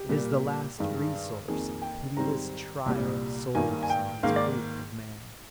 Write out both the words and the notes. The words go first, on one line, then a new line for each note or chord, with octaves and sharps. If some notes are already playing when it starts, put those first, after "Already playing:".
It is the last resource of the pitiless trier of souls in his proof of man.
Already playing: G4
A#2 G3 A#3
G2 D#3 G#3
F2 D#3 A#3 G#4
G5
G#2 D#3 G3 C4 A#5
C2 A#2 G3
G2 D#3 A#3 G#5
G#5
G5
G#2 D#3 A#3 F5
D5